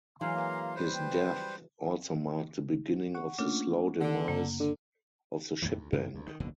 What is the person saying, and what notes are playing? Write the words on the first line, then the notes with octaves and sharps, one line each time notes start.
His death also marked the beginning of the slow demise of the Ship Bank.
E3 F#3 G#3 F5 A#5 C6
A#3
G3 B4 C5
G5
F#5 C#6
A3 A#3 C#4 D4 F4
D3 F#5
F#2 C#3 A#3
D3
F2 A2 D#3 E3
D2
F#2 C3 E3 G#3
D2
D#3
F#1 D#2 B2 D3